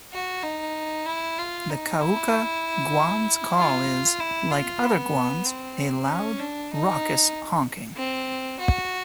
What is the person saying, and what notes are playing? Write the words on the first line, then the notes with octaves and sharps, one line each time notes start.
The Cauca guan’s call is, like other guans, a loud, raucous honking.
F#4
D#4
E4
F4
D#4
E4
F4
E4
F4
B3
C4
C#4
D4
D#4
C4
F#4